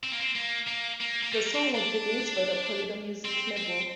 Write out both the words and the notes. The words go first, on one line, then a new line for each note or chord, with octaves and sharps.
The song was released by the Polydor music label.
C4
A#3
C4
A#3
A#3
A#3
A#3
G3
A#3
C4
D4
C4
C4